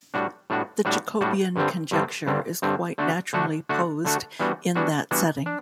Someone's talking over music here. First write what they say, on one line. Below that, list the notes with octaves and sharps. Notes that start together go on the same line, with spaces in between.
The Jacobian conjecture is quite naturally posed in that setting.
A2 G3 D4 F#4
A2 G3 D4 F#4
A2 G3 D4 F#4
A2 G3 D4 F#4
G2 D3 G3 C4
G2 D3 G3 C4
G2 D3 G3 C4
G2 D3 G3 C4
D3 A3 D4 F#4
D3 A3 D4 F#4
D3 A3 D4 F#4
D3 A3 D4 F#4
E3 G3 B3 D4 F#4
E3 G3 B3 D4 F#4
E3 G3 B3 D4 F#4
D4